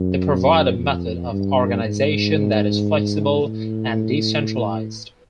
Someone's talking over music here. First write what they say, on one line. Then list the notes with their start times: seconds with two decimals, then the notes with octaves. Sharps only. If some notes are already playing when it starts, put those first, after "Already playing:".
They provide a method of organization that is flexible and decentralized.
Already playing: F#2
0.78 F2
1.31 G2
1.84 G#2
3.42 A2